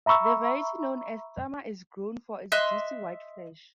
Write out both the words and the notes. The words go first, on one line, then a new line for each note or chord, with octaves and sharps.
The variety known as "tsamma" is grown for its juicy white flesh.
E5 A#5 B5 C#6 E6
D#5 E5 C6 F#6